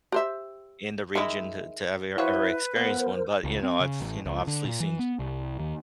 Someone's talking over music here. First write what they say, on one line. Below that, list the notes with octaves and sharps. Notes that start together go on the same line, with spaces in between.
in the region to to ever- ever experience one, but, you know, I've you know, obviously seen
G4 C5 E5
D#3 G#3 E4
F3 F#3 E4 B4 C#5
F3 B3 A#4 C5
C#2
C4
C#3
A1
C#2
D3
A#2
E3
B3
C2
D#2